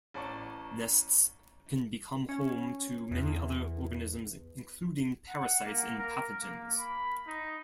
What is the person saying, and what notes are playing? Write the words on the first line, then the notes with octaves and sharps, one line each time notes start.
Nests can become home to many other organisms including parasites and pathogens.
A1 D5 A5 A#5 C#6
C#4
E2
F#5
A#3
A#4
A#3
B5
D#4